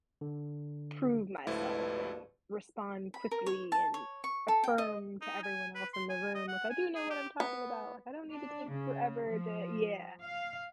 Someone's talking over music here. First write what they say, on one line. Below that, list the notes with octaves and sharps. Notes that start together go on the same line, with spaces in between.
prove myself and respond quickly and affirm to everyone else in the room, like, "I do know what I'm talking about, like I don't need to take forever to" Yeah,
D3
C#2 G2 B2 F3 A3 E4
B5
A#4
C#5
A5
C#5
C#6
A4
G5
D#5
D#4
G#5
B4
C6
G#5
D#5
F#5
G#5
G#4
G4
B3
D4
C#3
F3
F5